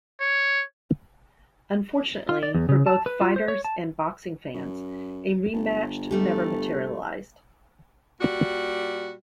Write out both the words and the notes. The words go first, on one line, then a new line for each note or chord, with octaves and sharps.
Unfortunately for both fighters and boxing fans, a rematched never materialized.
C#5
F4
D5
E2
C#3
A5
B4
F4
C5
C#5
A5
F#2
G1
G3 A3 G4
A#2 G3 F#4